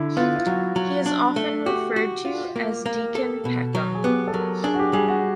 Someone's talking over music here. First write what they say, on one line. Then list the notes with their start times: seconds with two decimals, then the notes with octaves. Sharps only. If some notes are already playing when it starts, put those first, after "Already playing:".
He is often referred to as Deacon Peckham.
Already playing: D3 E4
0.17 B3 F4
0.36 F4
0.46 F#3 F#4
0.76 F#3
1.06 D4
1.36 A3
1.66 F#4 G4
1.96 F#4
2.25 F4
2.56 A#3
2.86 A#3
3.15 A4
3.45 B2
3.75 F#3
3.94 G#4
4.04 B3 G4
4.28 A4
4.34 F#3 A#4
4.64 D4 G#4
4.74 F#4
4.79 G4
4.93 G3 G#4
5.08 F#4